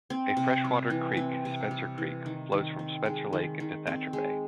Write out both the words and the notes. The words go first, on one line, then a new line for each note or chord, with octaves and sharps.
A freshwater creek, Spencer creek, flows from Spencer Lake into Thatcher Bay.
C4
C3
G3
E3
C4
C3
G3
E3
D#3
D#3
C4
G#3
D#3
D#3
C4
G#3